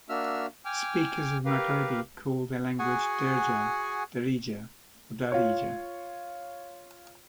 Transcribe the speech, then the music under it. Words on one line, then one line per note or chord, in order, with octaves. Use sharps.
Speakers of Maghrebi call their language Derja, Derija or Darija.
A#3 D4 F#4 E5 E6 F6
G5 G#5 D6 F6
G4 A#4 B4 F5
F#4 G#4 F#5 G#5
F4 C#5